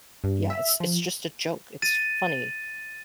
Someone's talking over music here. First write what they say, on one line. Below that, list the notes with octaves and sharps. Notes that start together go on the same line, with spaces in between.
Yeah, it's it's just a joke; it's funny,
G2
E5
F3
A6 D#7